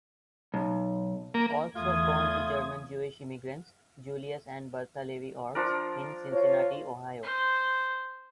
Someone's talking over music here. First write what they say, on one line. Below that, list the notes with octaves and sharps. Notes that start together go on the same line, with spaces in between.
Ochs was born to German-Jewish immigrants, Julius and Bertha Levy Ochs, in Cincinnati, Ohio.
B1
A#3
E2 A3 F4 D#6 G#6
F3 D4 A#4
F4 C5 C#5
C5